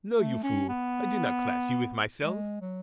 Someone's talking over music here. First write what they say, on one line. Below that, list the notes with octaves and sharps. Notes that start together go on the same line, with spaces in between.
No, you fool, I do not class you with myself!
A3
C#4
B3
G#3
F#3